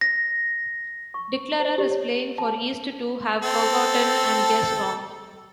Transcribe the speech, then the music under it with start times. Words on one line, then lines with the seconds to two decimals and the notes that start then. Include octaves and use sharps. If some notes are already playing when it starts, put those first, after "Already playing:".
Declarer is playing for East to have forgotten and guess wrong.
0.01 A#6
1.14 C#6
1.60 C5
1.78 G4
1.91 C#5
2.38 A5
3.42 C4 A4